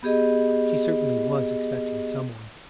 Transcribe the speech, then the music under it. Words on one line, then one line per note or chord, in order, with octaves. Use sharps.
She certainly was expecting some one.
B3 G4 G#4 D#5